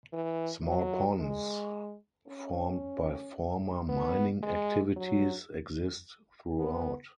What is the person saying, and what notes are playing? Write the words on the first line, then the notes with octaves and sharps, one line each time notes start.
Small ponds formed by former mining activities exist throughout.
E3
F#3
G#3
C#4
B3
G#3
F#3
B3